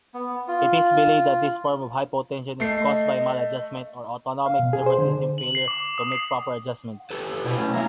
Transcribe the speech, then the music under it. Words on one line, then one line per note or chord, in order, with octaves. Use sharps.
It is believed that this form of hypotension is caused by maladjustment or autonomic nervous system failure to make proper adjustments.
B3
F4
A3 D#5 C7
F5
B2
G#4
C5
D3
F#7
C7
D6
D#6
C7
G4 A4 B4
B2 E4 C5
F#3 A3 C#4
A#3 C#4 E4 F5 A#5